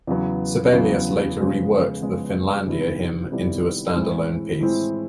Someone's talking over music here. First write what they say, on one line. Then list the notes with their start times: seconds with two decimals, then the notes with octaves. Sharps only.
Sibelius later reworked the "Finlandia Hymn" into a stand-alone piece.
0.07 E2 C#3 F#3 B3
0.72 E2 C#3 F#3 B3
1.37 C#3 F3 G#3 B3
2.02 C#3 F3 G#3 B3
2.66 C3 D#3 G3 B3 E4
3.32 C3 D#3 G3 B3 E4
3.96 A2 E3 G#3 C4 E4
4.60 A2 E3 G#3 C4 E4